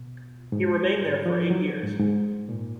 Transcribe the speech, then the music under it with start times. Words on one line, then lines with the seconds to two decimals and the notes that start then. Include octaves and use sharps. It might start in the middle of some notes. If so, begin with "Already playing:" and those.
He remained there for eight years.
Already playing: B2
0.52 G#2
1.26 F3
1.50 F#3
1.83 G#2
1.99 G#2
2.49 A#2